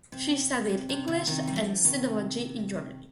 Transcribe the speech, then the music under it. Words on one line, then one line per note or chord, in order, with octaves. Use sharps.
She studied English and sinology in Germany.
C3
C3
C3
B2 D3
C3 D#3
G3
D3 F3
C3 D#3